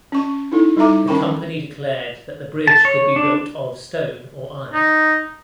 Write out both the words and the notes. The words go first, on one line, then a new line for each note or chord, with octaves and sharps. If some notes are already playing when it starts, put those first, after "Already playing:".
The Company declared that the bridge could be built of stone or iron.
C#4 C#6
D#4 E4 A4
G3 D#4 A4 E5 A#5 D6
D#3 C#4 A#4 G5 B5 C#6
A5
C#5
D4
D#4